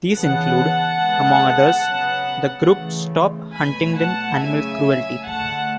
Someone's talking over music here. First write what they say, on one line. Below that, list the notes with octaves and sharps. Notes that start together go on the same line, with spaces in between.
These include, among others, the group Stop Huntingdon Animal Cruelty.
C#3 E3 B3 F#5 A5
D3 G#3 B3
C#3 F#3 B3
C#3 E3 A3
B2 F#3 A3 G#5 B5
F#5 A5
C#3 F#3 A3 E5 G#5
D3 A3 F#5 A5